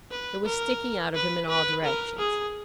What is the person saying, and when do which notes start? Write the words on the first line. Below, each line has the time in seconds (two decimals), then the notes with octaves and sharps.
It was sticking out of him in all directions.
0.11 B4
0.45 A#4
1.15 B4
1.49 B4
1.85 A#4
2.19 G#4